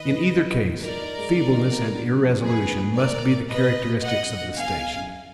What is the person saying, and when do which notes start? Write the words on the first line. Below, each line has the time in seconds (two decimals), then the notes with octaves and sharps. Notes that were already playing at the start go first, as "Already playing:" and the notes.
In either case, feebleness and irresolution must be the characteristics of the station.
Already playing: D#3 B4 D#5
0.10 D#2
0.29 F#3
0.46 F#3
0.65 D#2
0.82 D#4 A#4 D5
1.01 D#4
1.18 G#3
1.36 D3
1.54 D#4
1.71 B3
1.90 D3
2.07 F#3
2.25 F2
2.42 F2 G#4 B4
2.60 D3
2.78 A#3
2.96 D#4 A#4 D5
3.14 B2
3.32 B2
3.49 B2 B4 D#5
3.67 B2
3.85 B2
4.03 B3 D#5 F#5
4.21 F#2
4.39 D3
4.56 B3 F5 G#5
4.74 B3
4.93 F#2